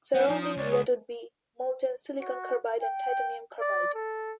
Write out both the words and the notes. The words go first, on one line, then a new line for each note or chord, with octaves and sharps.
Surrounding that would be molten silicon carbide and titanium carbide.
B3 D4 B4 F#5
F3 D#4 G#5
D#4 D#6
C#2 C#5 D5
G#4
F#4
G5
D5
A4